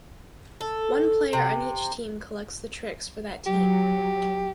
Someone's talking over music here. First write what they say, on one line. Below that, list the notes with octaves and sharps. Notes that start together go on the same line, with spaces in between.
One player on each team collects the tricks for that team.
A4
C3
F#3 G4